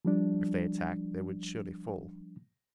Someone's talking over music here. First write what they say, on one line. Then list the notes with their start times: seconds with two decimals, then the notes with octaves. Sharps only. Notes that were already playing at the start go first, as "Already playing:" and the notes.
If they attacked they would surely fall.
0.05 F3 G3 D4